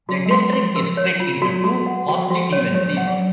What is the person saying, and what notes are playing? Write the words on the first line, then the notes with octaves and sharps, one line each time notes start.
The district is split into two constituencies.
F#3 F#4
G#3
C6
C6
F3
F3 A#4
C#5
F4
F#3 F#4
F#4
F#5
F3 F#4
F3 F#4
F#3 C#5
F3 C#5
F#3
F#5
F#3